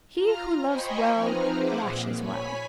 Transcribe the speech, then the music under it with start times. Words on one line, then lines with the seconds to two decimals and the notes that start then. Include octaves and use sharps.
He who loves well lashes well.
0.14 F4 A#5 F6
0.63 C5 D#5 G5 G#5 B5 C#6
1.14 F3 C4 D#4 B4 A#5 F6
1.52 G#4 C5 E5 F#5 D6
1.82 A#2
2.16 C#5 G#5 B5 B6